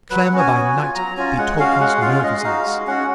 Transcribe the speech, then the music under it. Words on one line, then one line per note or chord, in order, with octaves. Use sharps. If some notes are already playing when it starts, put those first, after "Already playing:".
Clamor by night betokens nervousness.
F#3 B4
F#5
C#4 F#4
G#5
B3
F4
F#3 A#5
C#4 F4 G#5
G#3 F#5
C#4 F#4 F5
G#3 F#5
C#4 F4 F5
G#3 D#5
D#4 F#4 F5
G#3
C#4 F#4 F#5